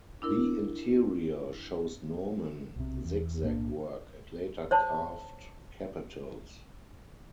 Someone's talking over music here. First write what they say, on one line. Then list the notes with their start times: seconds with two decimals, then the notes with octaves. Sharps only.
The interior shows Norman zig-zag work and later carved capitals.
0.22 D4 E4 A#4
2.76 B1 C3
3.04 E2
3.42 B1 A2 A#3 D4
4.71 C5 C#5 A5